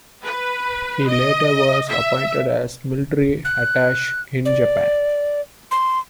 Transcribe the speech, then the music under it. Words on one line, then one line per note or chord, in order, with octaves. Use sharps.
He later was appointed as Military Attache in Japan.
B4
D#5
E5
F#6
D5
C6